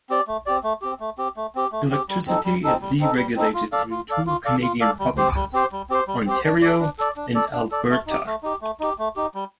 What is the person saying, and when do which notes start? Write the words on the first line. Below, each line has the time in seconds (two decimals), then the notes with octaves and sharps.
Electricity is deregulated in two Canadian provinces: Ontario and Alberta.
0.09 C4 G4 D5
0.27 A3
0.46 C4 G4 D5
0.63 A3
0.82 C4 G4
1.00 A3
1.18 C4 G4
1.37 A3
1.55 C4 G4
1.72 A3
1.91 C4 G4
2.09 G3
2.27 C4 D#4 A4
2.45 G3
2.64 C4 D#4 A4
2.82 G3
3.00 C4 D#4 A4
3.17 G3
3.35 C4 D#4 A4
3.54 F4
3.72 A4 D5 F5
3.91 F4
4.09 A4 D5 F5
4.27 F4
4.45 A4 D5 F5
4.62 F4
4.81 A4 D5 F5
4.99 G3
5.17 C4 G4 C5
5.35 G3
5.53 C4 G4 C5
5.72 G3
5.89 C4 G4 C5
6.08 G3
6.26 C4 G4 C5
6.44 D4
6.62 A4 D5
6.80 D4
6.99 A4 D5
7.16 D4
7.35 A4 D5
7.53 D4
7.71 A4 D5
7.89 A3
8.07 D#4 G4
8.26 A3
8.43 D#4 G4
8.61 A3
8.80 D#4 G4
8.99 A3
9.16 D#4 G4
9.34 G3